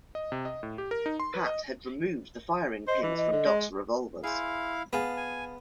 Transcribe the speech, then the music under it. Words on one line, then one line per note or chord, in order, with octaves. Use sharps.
Pat had removed the firing pins from Doc's revolvers.
D#5
C3
D#5
A2
G4
A#4
D#4
C6
B4
D#5
C5 D#5
E3
D#5
D3
G#3
E4 G#4 C5 F5
B3 G#4 F5 A5
G#5